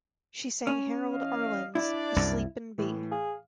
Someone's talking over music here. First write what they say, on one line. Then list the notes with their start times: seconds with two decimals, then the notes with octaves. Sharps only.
She sang Harold Arlen's "A Sleepin' Bee".
0.67 C#4
1.13 E3 D#5 F5
1.75 D4 E4 D5
2.16 C2 F#2
2.78 A2 E3
3.11 G#4 F5